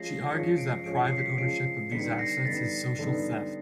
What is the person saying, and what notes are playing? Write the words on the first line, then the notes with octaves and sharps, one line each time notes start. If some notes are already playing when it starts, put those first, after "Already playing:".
She argues that private ownership of these assets is social theft.
Already playing: F3 G#3 C#4 A#6 C7
F3 G#3 C#4 B6 C#7
C7 D7
F3 G#3 C#4 D7
C#7
C7
B6 C#7
F3 G#3 C#4 C7 D7
D3 G3 B3 D#4 B6 C#7
A#6 C7
D3 G3 B3 D#4 A6 B6
D3 G3 B3 D#4